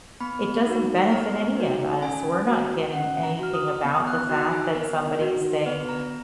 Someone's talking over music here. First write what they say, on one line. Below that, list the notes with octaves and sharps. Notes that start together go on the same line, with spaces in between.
it doesn't benefit any of us. We're not getting anything about the fact that somebody is saying
B3 B5
D#4 F#4
B3 A#5
D#4 F#4
C#4 G#5
F#4
C#4 F#5
A#5
F#4 F6
D#6
B3
F#6
D#4 F#4 F#6
G#5
B3 A#4
D#4 F#4
B3 B4
A#5